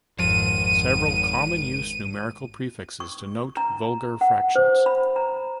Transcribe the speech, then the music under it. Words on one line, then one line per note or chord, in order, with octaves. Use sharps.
Several common-use numerical prefixes denote vulgar fractions.
G#1 F2 D#7
C#6
A#5
F#5
C5
B5
A#5